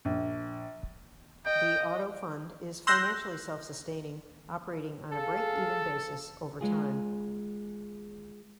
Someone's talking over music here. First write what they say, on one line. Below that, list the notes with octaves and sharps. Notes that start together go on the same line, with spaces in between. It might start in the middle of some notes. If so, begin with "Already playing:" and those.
The Auto Fund is financially self-sustaining, operating on a break-even basis over time.
A#1
D#5 G5
C6 E6 F#6 G6 A#6
G#4 A4 F5
G#3 F4 G#4